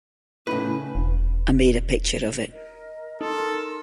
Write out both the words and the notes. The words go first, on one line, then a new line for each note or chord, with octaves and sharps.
I made a picture of it.
E2 A2 C#3 C#4 D#4 B4
E1
A#4 D#5
D#4 A4 A#4 C6